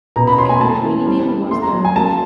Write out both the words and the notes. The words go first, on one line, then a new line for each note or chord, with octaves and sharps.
In the beginning was the will.
B2 A#5
B5
C#4 C6
G#5
A3 A5
E3
G3
G3
A3 C6
A#5
F#3
G#5
A#3 A5